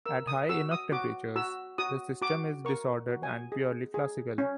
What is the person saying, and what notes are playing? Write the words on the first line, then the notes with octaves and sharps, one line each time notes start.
At high enough temperatures, the system is disordered and purely classical.
A#4 E6
D#6
F#4 E6
D#6
F#4 D6
F#4 E6
F#4 D#6
F#4 D6
A#4 C#6
F#4
G#5
G#4
G#4
C#4